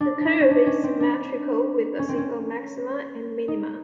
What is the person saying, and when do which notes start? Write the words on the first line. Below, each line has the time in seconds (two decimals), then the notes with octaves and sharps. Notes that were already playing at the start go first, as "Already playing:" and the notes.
The curve is symmetrical with a single maxima and minima.
0.01 D4
0.21 D4 D#4
0.41 C#4
0.51 D4
0.66 C#4
0.83 C4
1.00 D4
1.99 C#4
2.09 C4
2.18 C#4
3.48 D#4